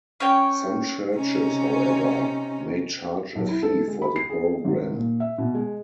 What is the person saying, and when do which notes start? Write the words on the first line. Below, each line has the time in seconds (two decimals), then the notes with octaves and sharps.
Some churches, however, may charge a fee for the program.
0.20 C#4 C#5 G5
1.14 C3 C#4 D#4
3.35 B1
3.49 E4
3.63 A4
3.87 G#3
4.02 B5
4.16 C7
4.30 G#4
4.64 G#1
4.94 A#2
5.20 E5
5.38 B2
5.54 G#3